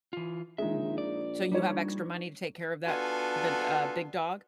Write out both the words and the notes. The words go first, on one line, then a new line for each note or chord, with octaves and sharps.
Mhm. So you have extra money to take care of that, the d uh, big dog?
E3 F4
A#1 G#3 D#4 E5
D5
G3 D4 D#4 C#5
B3 D4 F4 F#4 A4 G#5